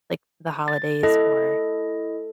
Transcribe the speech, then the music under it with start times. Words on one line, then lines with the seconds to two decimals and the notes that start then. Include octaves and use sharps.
like, the holidays or
0.68 A6
1.03 E4 A4 D#5